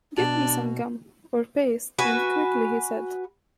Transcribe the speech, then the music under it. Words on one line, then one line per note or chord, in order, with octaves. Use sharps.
"Get me some gum or paste, and quickly," he said.
B2 D4
F#4 B4 G#5